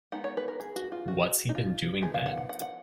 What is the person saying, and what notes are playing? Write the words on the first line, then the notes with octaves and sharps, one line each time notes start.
What's he been doing, then?
G#3 B3 D#4 F#5
C#5
B4
A#4
G#4
F#4
F4
F#4
D#4
F4
F3 B3 D#4 G#4
F5
F#5
F#5
F#5
F#5